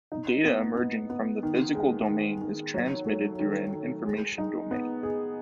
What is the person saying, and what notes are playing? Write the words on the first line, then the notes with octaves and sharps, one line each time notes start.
Data emerging from the physical domain is transmitted through an information domain.
D#4
B3
B3
B3
D#3
G#3
D#3
D#3
F#3
A3
D#3
D#3
G#3
D#4
B3
G#4